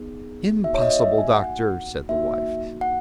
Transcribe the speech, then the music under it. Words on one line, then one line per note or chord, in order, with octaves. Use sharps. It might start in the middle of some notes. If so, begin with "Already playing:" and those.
"Impossible, doctor," said the wife.
Already playing: B3 D#4 G#4
A#3 D#4 F#4 E5
C#5
D#5
E5
G#5
F#5
A#3 D#4 F#4 E5
F#5